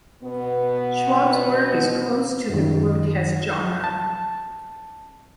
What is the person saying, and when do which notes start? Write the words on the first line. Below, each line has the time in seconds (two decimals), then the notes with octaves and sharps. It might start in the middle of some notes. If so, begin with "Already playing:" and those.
Schwab's work is close to the grotesque genre.
0.23 B2 B3
2.50 F#2 D#3
3.84 A5